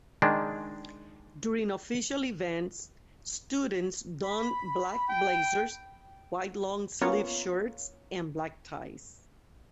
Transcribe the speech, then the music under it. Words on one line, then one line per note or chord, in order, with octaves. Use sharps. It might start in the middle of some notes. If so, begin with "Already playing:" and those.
During official events, students don black blazers, white long-sleeved shirts and black ties.
D#3 G#3 D4
B5
G5
A#3 B3 C#4 F4 C#5